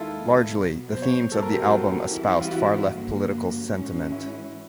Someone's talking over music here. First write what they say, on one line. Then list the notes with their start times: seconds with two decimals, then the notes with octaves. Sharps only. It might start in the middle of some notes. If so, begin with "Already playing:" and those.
Largely, the themes of the album espoused far-left political sentiment.
Already playing: D#2 D#3 G#3 E4 F4 A4
0.52 B2 F#3 B3
0.92 C5
1.02 C#5
1.12 C5
1.32 A#2 F#3 A3 C4 F4 A4
1.42 A#4
1.52 G4
1.63 F#4
2.12 E3 G3 C4 E4 G4
2.41 F4
2.52 F#4
2.92 G2 D3 F3 A#3
3.72 G#2 E3 G#3 C#4
4.12 E4